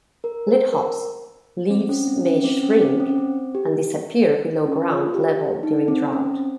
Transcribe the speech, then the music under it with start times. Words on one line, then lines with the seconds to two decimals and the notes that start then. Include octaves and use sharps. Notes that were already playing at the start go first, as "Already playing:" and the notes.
"Lithops" leaves may shrink and disappear below ground level during drought.
0.24 A#4
0.48 C5
0.73 A#4
1.71 C4
1.89 C#4
2.08 C4
2.26 C#4
2.44 C4
2.63 C#4
2.81 C4
3.00 C#4
3.18 C4
3.55 G4
4.66 C#4
4.90 F4
5.14 G4
5.63 D#4
5.88 C4
6.13 C#4
6.31 C4